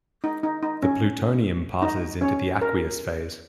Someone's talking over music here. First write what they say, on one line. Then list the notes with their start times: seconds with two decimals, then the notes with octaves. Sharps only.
The plutonium passes into the aqueous phase.
0.24 D#4
0.43 D#4
0.63 D#4
0.83 C#4
1.82 D#4
2.21 C#4 C#5
2.61 A#4